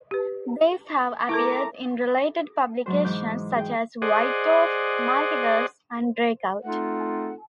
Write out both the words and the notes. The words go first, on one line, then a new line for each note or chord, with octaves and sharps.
These have appeared in related publications such as "White Dwarf", "Multiverse" and "Breakout!".
G4 B4
A3 E4 A4 A#4 A#5 D6
G#2 F#3 C5
G#2 E3 D6 G6
G#4 G5
G#4 C5 D5 D#5 F#5
A3 C4 D#4 F4 A4 F#5